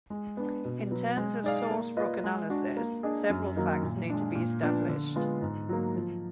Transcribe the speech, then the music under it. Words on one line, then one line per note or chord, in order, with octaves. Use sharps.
In terms of source rock analysis, several facts need to be established.
G#3
B3 D4
B2
F#3 B3
G#3
D#4 G#4 D5 F5
A#3
F4 B4 D#5
G#3
D4 F#4
A#3
D4 G#4 D#5
F#2
D#3 F#3 A#3 D#4
A#2
G#3 D4
A#2
F3 B3 D4
D3
G#3 B3 F4
G#2
F#3 A#3
F3